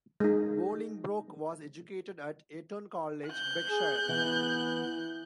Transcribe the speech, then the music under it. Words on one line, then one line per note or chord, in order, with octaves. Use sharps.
Bolingbroke was educated at Eton College, Berkshire.
G#3 D#4
F#6 G6
G#4
E3 B3